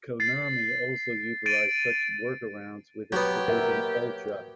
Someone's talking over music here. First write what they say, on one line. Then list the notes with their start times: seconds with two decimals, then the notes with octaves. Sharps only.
Konami also utilized such workarounds with its division Ultra.
0.20 A6 C7
1.46 A6 D7 D#7
3.12 F#3 B3 G4
3.48 A#4 E5